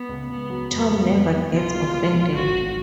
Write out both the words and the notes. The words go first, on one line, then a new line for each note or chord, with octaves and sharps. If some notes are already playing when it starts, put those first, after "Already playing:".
Tom never gets offended.
Already playing: B3
C#2
C#2 B3
F#3
F2 B3
F2
F2
D#3
B1 F4
G#3
B1
B1
G#1 F#4
G#1